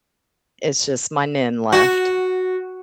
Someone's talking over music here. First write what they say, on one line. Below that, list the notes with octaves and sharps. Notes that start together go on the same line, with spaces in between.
it's just my Nin left.
F#4